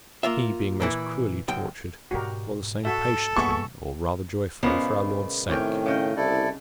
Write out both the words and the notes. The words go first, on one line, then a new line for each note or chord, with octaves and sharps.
He, being most cruelly tortured, bore the same patiently, or rather joyfully, for our Lord's sake.
A#3 F4 E5
A#2 E3 E4
C#2 F#2 G5
G#2 B2 F#4 G4 A#4
F#4 A4 E5
G2 A#3 B3 G#4 E5 C#6
A#2 C#3 G#3 B3 A#4 C5
A2 C3 D#3 C#4 G5
C#3 D#5 G5
C2 E4 A4 D5